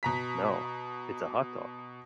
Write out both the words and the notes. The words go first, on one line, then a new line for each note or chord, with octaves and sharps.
No. It's a hot dog.
B2 A#5 B6